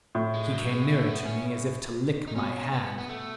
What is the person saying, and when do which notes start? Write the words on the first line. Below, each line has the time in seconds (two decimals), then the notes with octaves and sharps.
He came nearer to me as if to lick my hand.
0.15 A2
0.34 G#3
0.52 F#3
0.71 G#3
0.88 A3
1.07 B3
1.25 C#4
2.27 D#4
2.35 B2 C#4
2.72 B3
2.98 B3
3.09 A3